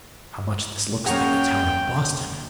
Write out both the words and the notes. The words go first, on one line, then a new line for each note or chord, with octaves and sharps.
How much this looks like the town of Boston!
F#2 A#3 F#4 G#4 C#5 G5 A#5